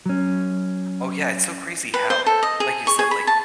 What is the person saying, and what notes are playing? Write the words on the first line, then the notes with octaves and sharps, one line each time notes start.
Oh, yeah it's so crazy how, like you said, like
F#3 C#4
B4
C5
A4
D#5
G#4
C#6
G#4
B5
A5